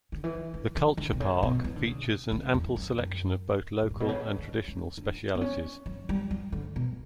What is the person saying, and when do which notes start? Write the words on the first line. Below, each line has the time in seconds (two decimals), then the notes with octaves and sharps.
The Culture Park features an ample selection of both local and traditional specialities.
0.12 D3
0.24 E3
0.54 D3
0.75 E3
0.97 D3
1.13 B2
1.20 C#3
1.43 B2
1.64 E3
1.76 D3
1.87 C#3
2.32 D3
2.54 E2
2.76 F#2
2.98 F#2
3.82 G2
3.90 A2
4.00 B2
4.08 C#3
4.39 D3
4.68 C#4
4.97 D4
5.35 B3
5.41 C#4
5.86 F#3
6.09 G3
6.31 F#3
6.52 D3
6.76 B2